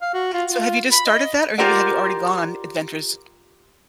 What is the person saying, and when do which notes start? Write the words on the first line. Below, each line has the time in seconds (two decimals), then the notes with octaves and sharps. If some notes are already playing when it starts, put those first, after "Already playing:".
So, have you just started that, or, really, have you already gone adventures?
0.02 F5
0.14 F#4
0.33 F4
0.48 F4
0.92 B5
1.06 D#5
1.58 F4 G4 A#4 C5 D5 F#5